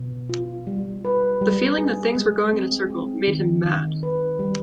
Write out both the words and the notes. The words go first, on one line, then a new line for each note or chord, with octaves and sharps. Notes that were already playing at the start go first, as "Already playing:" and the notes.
The feeling that things were going in a circle made him mad.
Already playing: B2
F4
G3
B4
G3
G#4
G#3
C4
C4
D#3
D#3
B4
G3